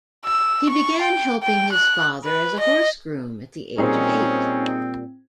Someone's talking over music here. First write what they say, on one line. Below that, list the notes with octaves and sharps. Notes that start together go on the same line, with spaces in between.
He began helping his father as a horse groom at the age of eight.
E6
C#6
G5
G5
F#6
B4
D#5
A#2 G3 C4 C#4 D#4 G#4 C5